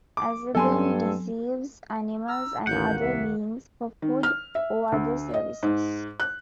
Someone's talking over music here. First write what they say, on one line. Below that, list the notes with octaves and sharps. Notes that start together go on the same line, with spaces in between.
Azeban deceives animals and other beings for food or other services.
D6
G2 F#3 B3 C4 A4 G#5 C6
A#5 E6 F6
A1 D#2 F#5 F#6 G6
C2 E5
D#3
F6
E5
D2
D#5
G#2
F#6